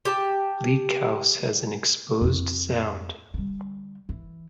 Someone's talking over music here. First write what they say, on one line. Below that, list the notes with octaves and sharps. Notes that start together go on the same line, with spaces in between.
Bleak House has an exposed sound.
G4 A5
F2 E4
D3 G3
E3